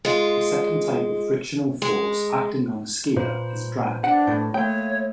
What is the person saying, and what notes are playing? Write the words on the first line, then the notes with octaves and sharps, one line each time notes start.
The second type of frictional force acting on a skier is drag.
G#3 F4
G#3
A#2 B4 C5
D4 F#5
A2 A3
A3 A#3 C#5 G5